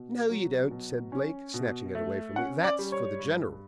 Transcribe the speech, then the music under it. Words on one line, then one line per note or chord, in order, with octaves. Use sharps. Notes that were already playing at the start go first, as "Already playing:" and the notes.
"No, you don't," said Blake, snatching it away from me, "that's for the General."
Already playing: B2
F#3
B2
C#4
B2
A3
C#4 F#5
D5
G3
C#5
G2